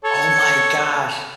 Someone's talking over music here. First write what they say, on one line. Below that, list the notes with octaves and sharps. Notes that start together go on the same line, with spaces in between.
Oh my gosh.
A4 C#5